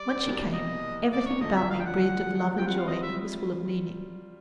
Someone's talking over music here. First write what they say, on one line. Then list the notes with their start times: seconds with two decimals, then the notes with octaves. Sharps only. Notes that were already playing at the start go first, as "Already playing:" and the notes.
When she came, everything about me breathed of love and joy and was full of meaning.
Already playing: G3 D5
0.23 C2 B2 G3 A#3
0.53 D#5
1.12 D5
1.26 C#5
1.41 F#2 D3 F3 A3 D4 D#5
1.55 E5
1.70 F5
1.80 G5
1.85 F#5
2.58 G3 C4 F4 G5
2.67 F#5
2.78 F5
2.88 D#5
3.02 E5